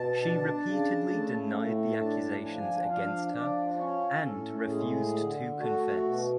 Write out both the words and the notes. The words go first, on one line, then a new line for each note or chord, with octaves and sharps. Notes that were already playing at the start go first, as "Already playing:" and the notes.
She repeatedly denied the accusations against her and refused to confess.
Already playing: B2 A5
D4
C#3
A3
A2
D4 A5
F3 G#5
D4 F5
F3 D5
C#4 C#5
A2 A4
G#3 G#4
D3
A3 F#4
B2